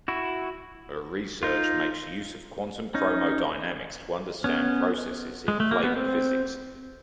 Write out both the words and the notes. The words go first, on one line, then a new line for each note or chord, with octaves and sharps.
Her research makes use of quantum chromodynamics to understand processes in flavor physics.
E4 F#4
D#4 F4
C#4 D#4
B3 C#4
G#3
A3
A#3
B3
C4